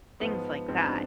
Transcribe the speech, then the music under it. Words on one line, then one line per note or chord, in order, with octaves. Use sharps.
things like that.
G#2 F3 B3
G#2 F3 C4
D4